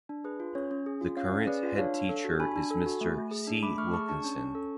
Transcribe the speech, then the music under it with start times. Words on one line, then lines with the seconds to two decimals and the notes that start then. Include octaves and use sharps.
The current headteacher is Mr C Wilkinson.
0.09 D4
0.24 G#4 B4
0.40 F4
0.55 C#4 C#5
0.71 C#4
0.86 G#4
1.01 F4
1.17 C#4 C#5 F5
1.32 C#4
1.47 G#4 B4 D5
1.63 F4
1.78 D4 C#5 F5
1.94 D4
2.09 A4
2.25 F#4
2.40 D4 G#5 B5
2.56 D4
2.71 A4
2.86 F#4
3.01 A3
3.17 A3
3.31 G#4
3.47 D4
3.63 A3 B5 D6
3.78 A3 C#6 F6
3.93 G#4 A5 C#6
4.09 D4 A5 C#6
4.24 C#4
4.39 C#4
4.55 A4